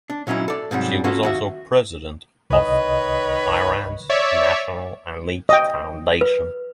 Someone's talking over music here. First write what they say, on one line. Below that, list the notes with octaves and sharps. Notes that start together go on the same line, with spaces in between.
She was also president of Iran's National Elites Foundation.
D4
A#2 F#3 C#4 D#4 E4
A4 D5
G#2 C3 F#3 G3
A#3 C#4 F4 F#4 A4
D#2 F#4 E5
C2 D#3 B4 C#5 D#5
C#5 D5 E5
D#5 G5
B4